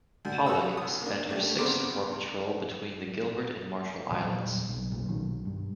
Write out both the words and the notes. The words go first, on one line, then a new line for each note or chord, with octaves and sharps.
"Pollack" spent her sixth war patrol between the Gilbert and Marshall Islands.
D2
C3 F#4 A4 D#6 E6
C2 D#6
A#3 D4
A3 D4 G4
C#3 B3 C4 A#4 D6
E2 A#2 F#3 G3
B1
F1 B1 A#2
B1 D#3 F#3
G2